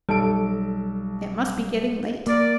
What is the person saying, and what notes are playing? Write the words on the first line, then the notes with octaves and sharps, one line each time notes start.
It must be getting late!
B1 G3 A4 D7
A#3 A#4 D5 D6